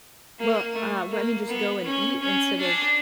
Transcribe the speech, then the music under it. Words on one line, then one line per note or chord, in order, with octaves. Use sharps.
Well, uh Well, I mean, just go and eat instead of
A#3
A3
A#3
B3
C#4
C#4
D4